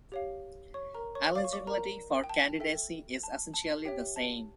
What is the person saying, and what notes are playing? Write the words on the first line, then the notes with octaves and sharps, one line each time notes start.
Eligibility for candidacy is essentially the same.
G4 C#5 F5
C#5 C#6
A#4 A#5
C#5 C#6
C#5 F5 D6
C#6
D5 D6
A#4 A#5
G5
A5
A4 E5 G5
A5
A5
G4 C#5 E5 G5
A5